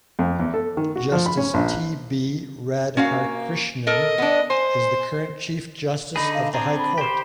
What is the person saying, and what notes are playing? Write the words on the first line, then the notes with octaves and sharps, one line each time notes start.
Justice T B Radhakrishnan is the current Chief Justice of the High Court.
F2
E2
A4
D#3
F#4
F3
B5
C#4
A#1
A#3 C#4 F#4 F5
A4 A#4 D#5
B3 D4
C5 G#5
D3 D#4 G#4 B5
F5
C4 D4 G#4 A#5
B5
G4 C5